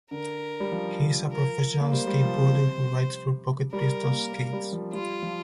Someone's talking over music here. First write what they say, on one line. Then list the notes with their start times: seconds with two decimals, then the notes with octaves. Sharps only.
He is a professional skateboarder who rides for Pocket Pistols Skates.
0.11 D3 A#4
0.60 G3
0.71 F3
1.32 A#4
1.80 A#3
1.92 G3 C5
2.07 G3
2.23 F3
2.38 C3
3.73 G3 A#4
4.03 A#3
4.33 A#3
4.53 G3
4.73 F3
4.93 G3 F4
5.23 F3